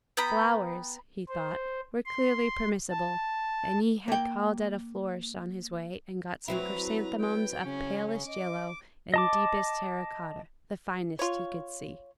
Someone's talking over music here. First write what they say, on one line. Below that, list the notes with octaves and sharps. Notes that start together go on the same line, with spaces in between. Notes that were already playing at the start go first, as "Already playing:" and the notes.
Flowers, he thought, were clearly permissible, and he had called at a florist's on his way and got some chrysanthemums of palest yellow and deepest terra-cotta, the finest he could see.
B3 G5 A#5 B5
C5
C6
A5
A#3 G5
F#3 C4 E4 F#4 B4 A#5
B4 G5
C#3 C#4
D#5 D6
D#5 A5 D6
F4 C#5